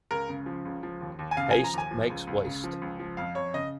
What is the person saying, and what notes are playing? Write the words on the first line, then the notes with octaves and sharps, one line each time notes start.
Haste makes waste.
C#2 A#4
C#3
F3
C#2
F3
D#2
D#2
G#5
C#3 F5
F3 G#5
A#5
D#2 G#5
F3
C#2
C#2
C#3
F3
C#2
F3
F2 F5
F2 C#5
C#3 D#5